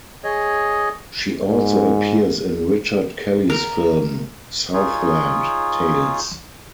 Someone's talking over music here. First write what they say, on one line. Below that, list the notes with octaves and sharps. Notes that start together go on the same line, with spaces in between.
She also appears in Richard Kelly's film "Southland Tales".
G#4 C#5 D#5
G#2
A#4
D#4 F4 G#4 C#5